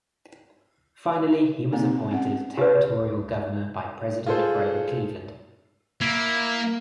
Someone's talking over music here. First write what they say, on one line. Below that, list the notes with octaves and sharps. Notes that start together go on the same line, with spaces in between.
Finally, he was appointed territorial governor by President Grover Cleveland.
A#3 C4 D#4
C4 C#4 F#5
G4 B4
F4 G#4 A4 C5
A#3 E4